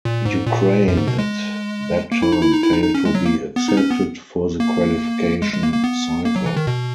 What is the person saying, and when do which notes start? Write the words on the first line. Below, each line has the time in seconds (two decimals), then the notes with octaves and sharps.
Ukraine at that time failed to be accepted for the qualification cycle.
0.05 A#2
0.25 G#2
0.46 A#2
0.88 F#2
0.97 G#2
1.08 B2
1.19 G#3
2.12 A#3
2.22 E4
2.32 D#4
2.42 E4
2.53 D#4
2.63 E4
2.73 D#4
2.83 D#4
2.94 C#4
3.05 G#3
3.15 F#3
3.26 A#3
3.56 B3
3.68 D#4
3.77 C#4
3.90 B3
4.60 A#3
5.42 G#3
5.53 G#3
5.63 A#3
5.74 A#3
5.84 B3
6.25 A#3
6.36 F#3
6.46 E3
6.57 D#3
6.67 B2